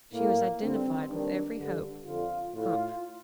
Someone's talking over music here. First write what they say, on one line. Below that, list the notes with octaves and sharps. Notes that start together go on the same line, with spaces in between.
She was identified with every hope. Humph!
A2 A#3
G2 D3 C4
G2 D#3 D4
G2 D3
F2 D3 F4
A2 F4